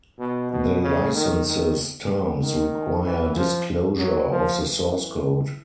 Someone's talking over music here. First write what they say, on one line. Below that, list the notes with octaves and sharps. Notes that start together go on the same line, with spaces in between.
The license's terms require disclosure of the source code.
B2
B2
C#3
D#3
D#3
D#3
E3
F3
F#3
F3
E3